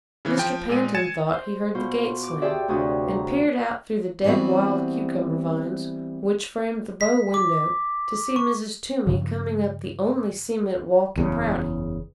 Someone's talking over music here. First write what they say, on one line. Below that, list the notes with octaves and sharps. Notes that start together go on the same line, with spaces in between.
Mr. Pantin thought he heard the gate slam and peered out through the dead wild-cucumber vines which framed the bow window to see Mrs. Toomey coming up the only cement walk in Prouty.
C#3 E3
F3 G5
A#2 G#3 D#7
G#5 G#6 A6 C#7 E7
C5
B2 F4 C5
D6
G4 G#4 C5 D5 E5 A5
D2 C3 F3 F#3 F#4 D#6
A#5
E3 G3 B3 C4 F#4
B6
D6
C#6
G2 C#3 F3
F#1 E2 A2 C#3